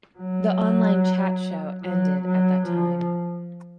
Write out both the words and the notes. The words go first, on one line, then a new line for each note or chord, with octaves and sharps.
The online chat show ended at that time.
F#3
F#3
F#3
F3